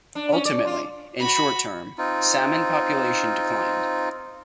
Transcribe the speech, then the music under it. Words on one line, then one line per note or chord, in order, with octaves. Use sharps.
Ultimately, in the short term, salmon population declined.
D4
C#4
D5
F4
F#4 B5
C4 D#4 F4